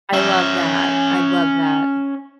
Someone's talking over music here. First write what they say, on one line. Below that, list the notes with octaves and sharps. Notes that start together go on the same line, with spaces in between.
I love that. I love that.
C#4 E5